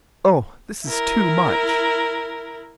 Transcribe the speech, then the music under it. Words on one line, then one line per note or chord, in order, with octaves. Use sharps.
"Oh, this is too much!"
E4 A#4